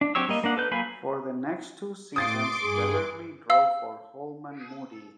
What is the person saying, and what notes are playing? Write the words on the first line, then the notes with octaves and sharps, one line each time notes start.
For the next two seasons, Weatherly drove for Holman Moody.
D4
F#3 C4 G4 C#5 E6
G3 A#3 D#5
A#3 D4 F#5
A4 B4 G6
F#3 A#3 F5 G#5 B5
A2 C6 D6 D#6 A6 C7 D7
G2 G#4
F5 E6